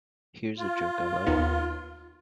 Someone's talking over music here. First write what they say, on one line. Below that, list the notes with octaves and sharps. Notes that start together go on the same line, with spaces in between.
Here's a joke I like.
F4
D#2 B3 D#4